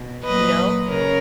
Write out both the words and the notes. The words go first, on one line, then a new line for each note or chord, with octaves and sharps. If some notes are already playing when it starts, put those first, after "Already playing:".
you know?
Already playing: B2
A#2 F#3 B4 D#5
C#3 A#4 C#5